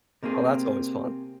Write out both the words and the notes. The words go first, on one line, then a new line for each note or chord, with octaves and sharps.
Well, that's always fun.
C3 A#3 C4 G#4